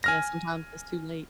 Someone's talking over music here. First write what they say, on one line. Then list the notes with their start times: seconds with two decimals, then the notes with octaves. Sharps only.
Yeah, sometimes it's too late.
0.04 G#5 F6 A#6